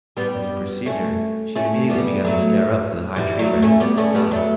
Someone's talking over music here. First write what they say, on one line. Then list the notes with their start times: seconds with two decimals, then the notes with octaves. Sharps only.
As he perceived her, she had immediately begun to stare up through the high tree branches at the sky.
0.17 G3 B3
0.86 A3 C#4
1.55 A3 C#4
1.90 G3 B3
2.25 F#3 A3
3.16 E3 G3
3.39 F#3 A3
3.62 A3 C#4
3.80 G3 B3
3.97 A3 C#4
4.15 G3 B3
4.31 F#3 A3